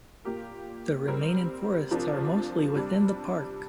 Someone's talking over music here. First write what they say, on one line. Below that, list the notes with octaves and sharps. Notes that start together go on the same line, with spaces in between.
The remaining forests are mostly within the park.
A#2 A#3 G4 A#4
C3 G3 C4 A#4
C3 F3 D4 A#4
C3 G3 D4